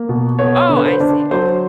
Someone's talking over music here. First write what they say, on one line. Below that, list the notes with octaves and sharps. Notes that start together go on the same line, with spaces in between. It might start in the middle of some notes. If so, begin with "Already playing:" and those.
oh, I see, okay.
Already playing: A#3
B2
B3 C#5
D3
B4
C5
D4
F#3 C5